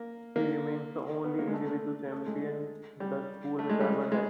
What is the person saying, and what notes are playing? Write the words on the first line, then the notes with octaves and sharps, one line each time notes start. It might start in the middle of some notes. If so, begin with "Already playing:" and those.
He remains the only individual champion the school has ever had.
Already playing: A#3
A#3
B3
A#3
G#3
A3
A3
G#3
G3
A3
G#3
G3
G#3
G#3